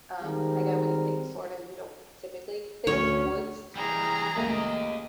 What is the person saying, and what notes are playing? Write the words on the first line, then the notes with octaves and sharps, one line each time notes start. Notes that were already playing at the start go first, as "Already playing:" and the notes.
Um, I know when you think "Florida," you don't typically think "woods"
D#3 G3 G#3 C4 A#4
D2 C#4 C#5
E3 G3 G#4 A#5
C#2 A3 A#3 G4 D#5